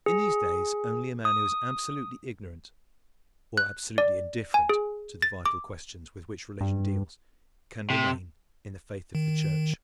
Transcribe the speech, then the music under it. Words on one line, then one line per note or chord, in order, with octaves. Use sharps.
In these days only a man who is absolutely ignorant or absolutely indifferent to the vital questions with which religion deals, can remain in the faith of the Church.
G#4
D#6
F#6
D5
G#5
G#4
A6
D6
G2
C3
D#3